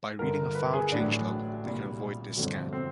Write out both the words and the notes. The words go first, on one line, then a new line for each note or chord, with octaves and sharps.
By reading a file change log, they can avoid this scan.
G1 G2 D3 A#4
B4
G#4
A1 A2 F#3 D4
C2 A#2 G3
G1 F2 D3 F#3
C4